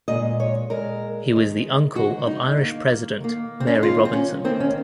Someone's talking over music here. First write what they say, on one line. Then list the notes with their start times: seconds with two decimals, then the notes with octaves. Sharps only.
He was the uncle of Irish president Mary Robinson.
0.08 A#2 G#3 D#5
0.40 C#5
0.70 A#2 G#3 A#4
1.32 D#3 G#3
1.95 D#3 G#3 F#4
2.27 D#4
2.57 D#3 A#3
3.21 D#3 A#3
3.60 C4
3.67 C#4
3.75 D#4
3.82 D#3 A#3 F4
4.05 C4
4.13 C#4
4.44 D#3 C4
4.48 A#3
4.60 C#4